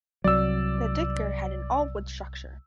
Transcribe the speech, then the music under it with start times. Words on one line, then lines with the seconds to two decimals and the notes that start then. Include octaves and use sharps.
The Duiker had an all-wood structure.
0.24 C2 F#3 D5 E6